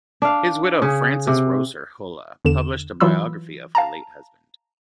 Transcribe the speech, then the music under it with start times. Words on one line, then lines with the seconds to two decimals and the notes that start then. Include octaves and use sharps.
His widow Frances Rosser Hullah published a biography of her late husband.
0.22 D4 F5
0.82 C#3 G#4
1.27 C3
2.45 E2 D3 E7
3.00 E3 F#3 F4 B5 E6
3.75 F5 A5 A#5